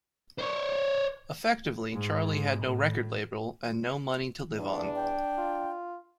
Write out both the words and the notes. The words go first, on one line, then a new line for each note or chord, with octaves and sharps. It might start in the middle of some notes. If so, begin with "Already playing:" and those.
Effectively Charlie had no record label and no money to live on.
C5 C#5
G#2
A2
E2 D4
G5
F4